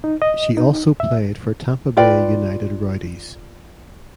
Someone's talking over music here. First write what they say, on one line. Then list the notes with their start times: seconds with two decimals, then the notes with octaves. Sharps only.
She also played for Tampa Bay United Rowdies.
0.04 D#4
0.22 D#5
0.57 D#4
1.00 E5
1.97 F4 B4 D5 G5